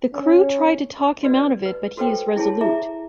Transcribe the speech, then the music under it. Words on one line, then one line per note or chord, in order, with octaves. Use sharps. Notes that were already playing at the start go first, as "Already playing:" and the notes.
The crew try to talk him out of it but he is resolute.
C#4
F#4 B4 D5
B4
F#4 A4 B4 C5 G5
E4 G#4 C#5 A5
E4 G#4 E5 A#5 D6